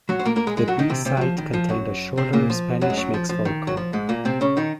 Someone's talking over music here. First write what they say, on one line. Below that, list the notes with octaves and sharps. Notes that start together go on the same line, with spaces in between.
The B-side contained a shorter Spanish Mix vocal.
F#3 F#4
C5
A#3 A#4
A#3 A#4
G#3 G#4
G#3 G#4
F#3 F#4
D#3 D#4
C3 C4
C3 C4
F#3
F3
D#3
F3
F#2 F#3
C3 C4
A#2 A#3
F3
F#2 F#3
G#3
F#2 F#3
F3
F3
D#3
F#3
F3
G#2 G#3
A#2 A#3
C3 C4
C#3 C#4
D#3 D#4